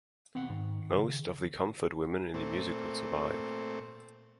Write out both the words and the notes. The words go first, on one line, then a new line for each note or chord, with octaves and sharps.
Most of the comfort women in the musical survive.
D#2 B2 C4 F#5
G#2 D#3
C#3
A#2 A3 C4